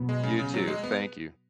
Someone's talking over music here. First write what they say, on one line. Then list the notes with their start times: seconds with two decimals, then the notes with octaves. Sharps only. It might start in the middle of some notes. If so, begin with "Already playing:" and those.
You too, thank you.
Already playing: B2 F#3 B3
0.09 G#3
0.23 C#3
0.39 C#3
0.54 F#3
0.68 G#3
0.83 B3